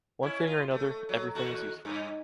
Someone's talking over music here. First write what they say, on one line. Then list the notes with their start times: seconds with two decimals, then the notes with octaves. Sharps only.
One thing or another, everything is useful.
0.23 C#4 E4
0.47 F4
0.71 A3
1.09 F#3
1.35 D#2 F#4 A4
1.85 G2